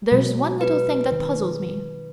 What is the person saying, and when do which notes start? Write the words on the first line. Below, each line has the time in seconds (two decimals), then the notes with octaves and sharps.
But there's one little thing that puzzles me.
0.12 B2 F#3 G#3
0.61 B4
1.12 D#3